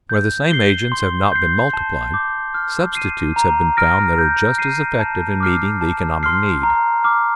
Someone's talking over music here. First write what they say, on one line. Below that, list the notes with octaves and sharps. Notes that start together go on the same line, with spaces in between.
Where the same agents have not been multiplied, substitutes have been found that are just as effective in meeting the economic need.
G6
C7 G7
C6
G6 C7
A5
D6 G6
F6
C7 D#7
A#5
F6 A#6 D7
G6
C7 D#7
A5
D6 F6 C7
A5
C6 F6 C7
A#5
D6 F6